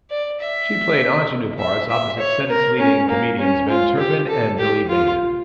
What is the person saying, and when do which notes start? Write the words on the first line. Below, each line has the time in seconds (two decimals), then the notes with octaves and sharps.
She played ingenue parts opposite Sennett's leading comedians, Ben Turpin and Billy Bevan.
0.10 D5
0.40 E5
1.59 E5
1.90 E5
2.19 C#5
2.49 A#4
2.79 C#4
3.08 A#3
3.39 C#4
3.69 F4
3.98 G4
4.28 A4
4.58 G4
4.88 F4